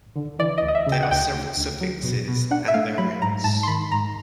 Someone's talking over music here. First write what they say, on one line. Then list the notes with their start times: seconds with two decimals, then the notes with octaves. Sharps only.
There are several suffixes and variants.
0.16 D3
0.39 E3 D5
0.58 D#5
0.62 D2
0.68 D#5
0.75 E5
0.87 C#3
0.92 G5
1.03 F#5
1.10 D2 G5
1.34 D2
1.57 D2
1.81 F#3
2.03 B2
2.28 B2
2.51 D4 F#5
2.68 E5
2.74 A3 F5
2.98 F#3 B5
3.22 G#2 A#5
3.44 G#2 A5
3.63 C6
3.68 D#3 B5
3.92 G#2 A#5